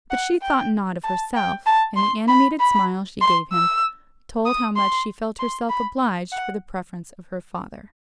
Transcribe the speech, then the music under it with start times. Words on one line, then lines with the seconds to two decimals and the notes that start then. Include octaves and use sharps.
But she thought not of herself, and the animated smile she gave him, told how much she felt herself obliged for the preference of her father.
0.10 F#5
0.42 G5
1.04 A5
1.36 G5
1.66 A5
1.97 C6
2.28 B5
2.60 B5
3.21 C6
3.52 E6
4.46 D#6
4.76 C6
5.39 C6
5.69 B5
6.32 F#5